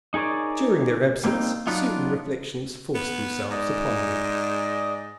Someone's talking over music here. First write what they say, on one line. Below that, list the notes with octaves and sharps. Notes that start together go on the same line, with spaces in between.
During their absence certain reflections forced themselves upon me.
D#4 G#4 A#4 C#5 D5
G3 A#3 C4 D#4
F#3 B3 D4 D#4 F4
B3
G#2 D5 D#5